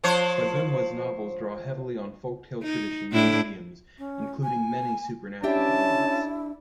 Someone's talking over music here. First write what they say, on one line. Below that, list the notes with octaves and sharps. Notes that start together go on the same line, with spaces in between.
Fagunwa's novels draw heavily on folktale traditions and idioms, including many supernatural elements.
F3 C5 C#5
D#4
A2 D4 E4
C#4
G#5
C#4 D4 E4 G4 E5 A5